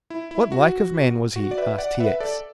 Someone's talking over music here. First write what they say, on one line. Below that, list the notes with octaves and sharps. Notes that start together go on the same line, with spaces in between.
"What like of man was he?" asked T. X.
E4
E4
F#4
F#4
D5
B4 E5
D5 F#5
F#5
B4 E5
A4 D5